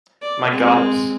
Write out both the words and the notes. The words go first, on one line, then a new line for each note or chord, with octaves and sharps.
My goddess.
D5
G#3 C4